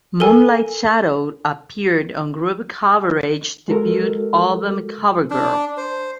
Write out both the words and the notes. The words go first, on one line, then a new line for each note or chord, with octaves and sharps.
"Moonlight Shadow" appeared on Groove Coverage's debut album, "Covergirl".
A4 A#4 G#5
G#3 F#4 A4 A#4
D4
C5